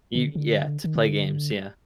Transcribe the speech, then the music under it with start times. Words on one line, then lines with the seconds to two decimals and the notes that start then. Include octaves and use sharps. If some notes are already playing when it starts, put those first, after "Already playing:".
E yeah, to play games, yeah.
0.15 D3
0.35 D3
0.84 D#3
0.95 D3